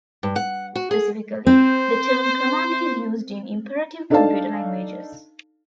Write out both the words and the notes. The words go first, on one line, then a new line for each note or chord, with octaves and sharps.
Specifically, the term "command" is used in imperative computer languages.
G2
F#5
F#4
G#4
C4 C5
D4 D#4 A4 D5 F5 A5